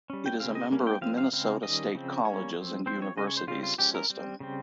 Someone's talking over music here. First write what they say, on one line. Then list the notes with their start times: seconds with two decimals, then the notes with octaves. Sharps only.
It is a member of Minnesota State Colleges and Universities system.
0.10 G3 C#4
0.26 G5
0.40 C#3 G#3 C4 F5
0.55 D#5
0.71 G3 A#3 C#4
0.87 G5
1.01 F3 G#3 C4 F5
1.18 F5
1.33 C#3 G#3 C4 F5
1.63 D#3 G3 C#4 D#5
1.95 C#3 F3 C4
2.25 G3 A#3 C#4 C#5
2.56 F3 C4
2.86 F3 C4 C5
3.02 C#5
3.17 C#3 G#3 C#4 D#5
3.27 C#5
3.37 C5
3.48 C#3 G3 C4 F4
3.63 F4
3.78 F3 G#3 C#4 G4
3.95 A#4
4.10 G3 C4
4.40 C#3 G3 C4